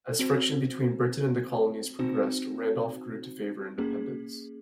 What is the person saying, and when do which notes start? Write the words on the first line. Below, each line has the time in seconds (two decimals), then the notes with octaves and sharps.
As friction between Britain and the colonies progressed, Randolph grew to favor independence.
0.19 C4 F#4 C5
1.99 C4 D#4 F#4 C5
3.78 A#3 C#4 G#4